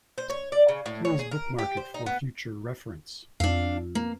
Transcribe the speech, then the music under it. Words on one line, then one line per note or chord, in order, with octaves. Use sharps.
Please bookmark it for future reference.
C5
C#5
D5
C#3
A2
C#5
G#4
A#4
G4
C5
D#4
B3
F2 D4 F5
A#3